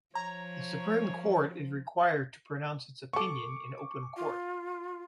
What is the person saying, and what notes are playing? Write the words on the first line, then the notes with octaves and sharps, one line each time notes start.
The Supreme Court is required to pronounce its opinion in open court.
F3 C#5 A#5
B3 A4 C#6 D6
F4